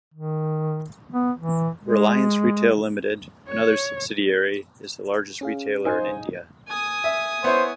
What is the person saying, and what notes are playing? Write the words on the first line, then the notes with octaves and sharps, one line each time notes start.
Reliance Retail Limited, another subsidiary, is the largest retailer in India.
D#3
B3
E3
G#3
C#5
C#4 G#4 F5
D#4 C5 G#5
G#5 D#6
E5
B3 E4 C5 C#5